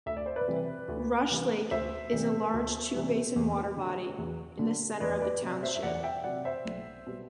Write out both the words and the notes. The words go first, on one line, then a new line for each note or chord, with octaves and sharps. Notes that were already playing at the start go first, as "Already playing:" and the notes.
Rush Lake is a large two-basin water body in the center of the township.
D2 E5
D5
C5
B4 D5
C3 E3 G3
D2
C3 E3 G3
D2 C5 E5
C3 E3 G3
D2
C3 E3 G3
E2
D3
F#3
E2
D3 F#3
E2 B4 D5
B4 D5
C3 F#3
C5 E5
E5
E2 D5 F#5
F#5
E5 G5
C3 F#3 D5 F#5
C5 E5
B1
B2 G3